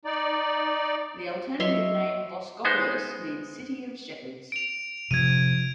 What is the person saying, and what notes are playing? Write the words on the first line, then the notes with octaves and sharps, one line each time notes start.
The alternative name "Voskopolis" means "City of shepherds".
D#4 D5
F#3 C#5 D#5 E5 C6
G#3 B3 D#4 C5
D7 F7
C3 F3 G#6 D#7